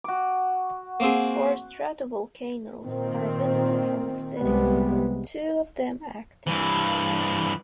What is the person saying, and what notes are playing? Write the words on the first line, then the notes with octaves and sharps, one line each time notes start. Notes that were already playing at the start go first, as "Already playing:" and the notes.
Four stratovolcanoes are visible from the city, two of them active.
F#4 D6
A#3 C4 G#4
A#2 D#3 C4
C2 C3 G3 G#3 B3
G2 E3